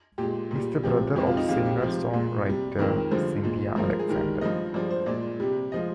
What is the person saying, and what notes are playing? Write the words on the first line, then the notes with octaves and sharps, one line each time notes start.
He is the brother of singer-songwriter Cynthia Alexander.
A#2 G4
G#3
A#2 G3
C3 F3 G#3 G4
F2 C3 F3 G#3 G4
F4
D#4
F2 C3 F3 G#3 F4
G4
C3 F3 G#3
A#2 G#3
C3 G3
F2 D#3 G#3 A#4
G2 D3 F3 G#3 C5
A#2 G#3
G2 F3 G#3 A#4
G#4
G#2 D#3 G3 A#4
G2 F3 G#3 D#5
G2 F3 G#3 D5
C5
A#2 G#3 D5
C3 G3
F3 G#3 D#5